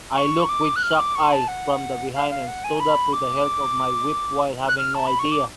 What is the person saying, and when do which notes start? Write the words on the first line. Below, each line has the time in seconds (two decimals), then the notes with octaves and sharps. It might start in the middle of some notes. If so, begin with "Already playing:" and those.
I looked with shocked eyes from the behind and stood up with the help of my whip while having no idea.
0.16 C#6
0.49 D6
0.76 F#6
0.82 F6
0.98 D6
1.15 C#6
1.32 A5
1.48 F#5
2.14 F5
2.30 F5
2.47 F#5
2.64 G#5
2.80 B5
3.13 D6
4.68 F#6
4.77 F6
4.94 A5
5.07 B5
5.19 C#6
5.31 D6